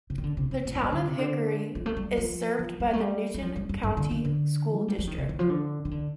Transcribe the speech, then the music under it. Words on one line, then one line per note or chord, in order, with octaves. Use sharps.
The Town of Hickory is served by the Newton County School District.
C3
D#3
D3
C3
C3
A2
F2
G2
D3
C3
D3
F3
A3
G3
F3
F3
G3
A3
G3
G3
F3
G2
G2
G2
D3
D3
D3
A3
G3
F3
D#3
C3
D#3
F3
D3
D#3
D3